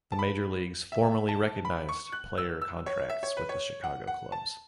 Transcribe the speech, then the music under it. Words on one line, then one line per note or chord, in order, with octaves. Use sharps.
The major leagues formally recognized player contracts with the Chicago clubs.
A5
B5
E5
A5
B5
C#6
F#6
E6
E6
C#5
E5
C#5
B4
C#5
F#5
F#5
A5